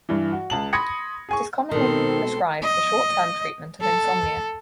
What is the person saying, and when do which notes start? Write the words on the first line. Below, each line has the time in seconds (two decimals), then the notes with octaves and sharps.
It is commonly prescribed for short-term treatment of insomnia.
0.09 G2 E3
0.32 F#4
0.50 C#2 A5 F#7
0.73 B5 C6 D#6 G#6 A#6 C#7
1.29 G#4 G#5 C#6
1.71 B2 D#3 G#3 C4 A4 C6
2.63 D#5
3.81 A4